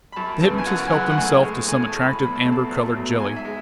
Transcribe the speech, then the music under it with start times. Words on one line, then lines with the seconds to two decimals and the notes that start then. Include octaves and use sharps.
The hypnotist helped himself to some attractive amber-coloured jelly.
0.12 B5
0.16 F#2 A5
0.41 C#3 E3 A5
0.58 G#5
0.67 F#2 F#5
0.87 G#5
0.92 C#3 E3 F#5
1.10 F#5
1.18 A2 G#5
1.43 G#3
1.69 A2 G#5
1.85 A5
1.94 G#3
2.02 B5
2.19 E2 B5
2.36 A5
2.44 B2 F#3 A3
2.53 A5
2.69 E2
2.94 B2 F#3 A3
3.20 G#2 G#5
3.36 E5
3.45 G#3